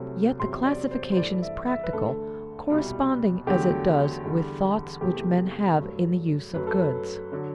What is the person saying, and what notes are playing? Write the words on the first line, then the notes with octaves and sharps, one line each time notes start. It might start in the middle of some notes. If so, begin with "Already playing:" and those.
Yet the classification is practical, corresponding as it does with thoughts which men have in the use of goods.
Already playing: C2 C3 F#3 A3
E2 C3 F#3 C6
D5
C5
C5
G2 E3 A3 D5
E5
E5
B4
D2 D3 A3 A4
C2 B2 G3
E2 D3 F#3 A3 G4
E2 D3 G3
E2 C3 E3 A3 G4
G2 F#3 A3
F#2 F#3 A3 B4
A4
B4
D3 F#3